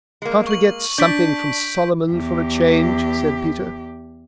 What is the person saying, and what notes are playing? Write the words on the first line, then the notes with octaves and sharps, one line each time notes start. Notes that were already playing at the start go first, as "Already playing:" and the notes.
"Can't we get something from Solomon for a change?" said Peter.
G#3 A#3
C#6 F#7
D4 G6 B6 D7
E2 G4